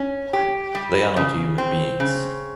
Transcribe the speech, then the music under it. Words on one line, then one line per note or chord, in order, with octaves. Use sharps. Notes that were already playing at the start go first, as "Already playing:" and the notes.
They are not human beings.
Already playing: C#4
G4
G3
C#3
C4
C#3